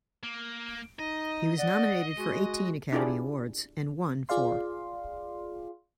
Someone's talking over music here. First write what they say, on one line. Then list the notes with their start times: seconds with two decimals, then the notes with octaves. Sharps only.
He was nominated for eighteen Academy Awards and won four.
0.23 A#3
0.99 D#4 D#5
1.59 D5 F#5
2.18 G#3 F#4
2.92 D4 E4 F4 G4 G#4 D5
4.29 F4 G#4 D5 F5 C6